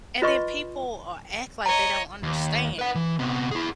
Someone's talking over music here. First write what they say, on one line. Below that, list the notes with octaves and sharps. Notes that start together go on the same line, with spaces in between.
And then people, uh, act like they don't understand
F4 B4 D#5 C6 C#6
C#5 D#5 A#5
D#2
B4 F#5
E3
C3 B3
E4 G#4